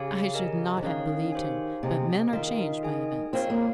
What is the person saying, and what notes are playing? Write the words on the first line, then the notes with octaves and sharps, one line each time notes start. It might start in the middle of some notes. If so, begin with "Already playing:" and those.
"I should not have believed him; but men are changed by events."
Already playing: C#3 G4 C#5 F5 G#5
G4 A#4 D#5 G#5
F3
D#3 C#4 G#4 C#5 F5
G4 C5 F5 G#5
C3 G#4 D#5 G#5
D#3 F4 A#4 F5
G#4 D#5 G#5
C4 F4 A#4 C#5 F5
A#3